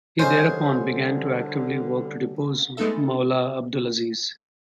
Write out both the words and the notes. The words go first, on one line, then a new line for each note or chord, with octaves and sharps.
He thereupon began to actively work to depose Moulay Abdelaziz.
D3 G3 C#4 D#4 G#4 C5
G#3 A3 B3 D#4 A4 E5